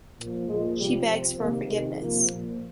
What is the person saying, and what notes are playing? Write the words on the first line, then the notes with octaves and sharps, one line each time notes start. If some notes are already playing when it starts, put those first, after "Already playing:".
She begs for forgiveness.
A#2 F3
A#2 F3 G#3
C3 F3 G3
C3 F3 C4
C3 D#3 A#3
C3 D#3 G#3
C3 F3 A#3
A#2
F3